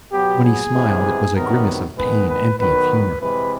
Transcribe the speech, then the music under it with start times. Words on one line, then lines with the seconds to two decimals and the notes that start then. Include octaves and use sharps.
When he smiled it was a grimace of pain, empty of humor.
0.12 B2 F#3 B3 G4
0.43 G#4
0.74 C3 E3 G#3 B3
1.36 C3 D#3 F#3 B3 A#4
1.98 D#3 G#3 B3 B4
2.28 B4
2.60 D#3 F#3 B3 B4
3.21 C3 E3 G#3 B4